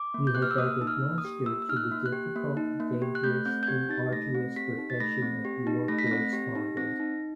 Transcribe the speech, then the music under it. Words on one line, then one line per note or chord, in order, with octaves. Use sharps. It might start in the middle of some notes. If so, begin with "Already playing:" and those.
You have added luster to the difficult, dangerous and arduous profession of War Correspondent.
Already playing: D6
A#3
G6
G4 F#6
F6
E6
A#3 D#6
D#4 E6
F6
A#3
D#6
G4
A#3 E6
E6
D#4 F6
F#6
A#3
F#6
G4
A#3
D#4
A#3
G4
F#6
A3 G6
C4 G6
G6
G4 G#6
D#4 A6
A3 A#6
C4
G4 B6
D#4
A6
A3 A#6
C4
G4
D#4
A3 A#6
B6
C4 A#6
G4
D#4
C4 A#6
D#4